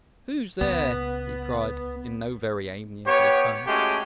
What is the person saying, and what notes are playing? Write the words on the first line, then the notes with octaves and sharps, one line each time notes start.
"Who's there?" he cried, in no very amiable tone.
C#2 B3
B3 G4 C#5
G#3 A3 C#4 F#4 G4